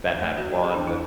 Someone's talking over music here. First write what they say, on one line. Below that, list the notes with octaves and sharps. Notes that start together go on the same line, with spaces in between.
that had one
A3
F#4
D5
G#4
D4
E4